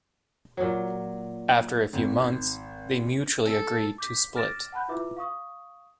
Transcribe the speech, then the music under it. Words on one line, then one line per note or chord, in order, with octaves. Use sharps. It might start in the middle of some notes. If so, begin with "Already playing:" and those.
After a few months, they mutually agreed to split.
A#2 F#3
G#1
A4
D6 G6 B6
D6 F6 A6 A#6 D7 E7
F#5 A5 B5 F#6 G6
E4 F4 B4 E5 D6
F5 C#6 D#6